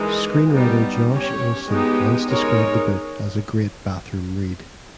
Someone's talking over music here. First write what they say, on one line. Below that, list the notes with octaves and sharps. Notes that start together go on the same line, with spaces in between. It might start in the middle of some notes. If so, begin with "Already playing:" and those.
Screenwriter Josh Olson once described the book as "a great bathroom read".
Already playing: E3 G#3 D#4 A#4
G3 B3 D#4
C#4 G4 C#5
G#3 B3 D#4 G4
G#3 D#4 A#4 C#5